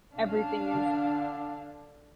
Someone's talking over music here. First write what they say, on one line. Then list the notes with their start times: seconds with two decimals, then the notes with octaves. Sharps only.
everything is
0.16 B1 C#4 D4 F5
0.72 D3